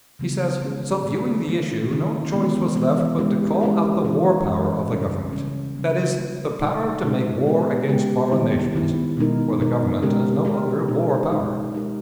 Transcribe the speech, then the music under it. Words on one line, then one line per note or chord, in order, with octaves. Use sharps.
He says, "So viewing the issue, no choice was left but to call out the war power of the Government." That is the power to make war against foreign nations, for the Government has no other war power.
C#3 E3 G3 B3 E4
D#3 G#3 C#4 G#4
D#3 G#3 C#4 G#4
D#3 A#3 C#4 E4
D#3 A#3 C#4 E4
E3 G#3 B3
E3 G#3 B3
G#3 C#4 E4 G4
G#3 C#4 E4 G4
E3 G#3 C#4
E3 G#3 C#4
C#3 G3 C#4
C#3 G3 C#4
C#3 G3 A#3
C#3 G3 A#3
A#2 G#3 D#4
A#2 G#3 D#4
G#3 B3 G4
G#3 B3 G4
D#3 G3 B3 E4
D#3 G3 B3 E4
B2 G#3 B3 D#4 A#4
B2 G#3 B3 D#4 A#4
G#3 C#4 G4 A#4
G#3 C#4 G4 A#4
B2 G#3 D#4
B2 G#3 D#4
G#3 D#4 G4 A#4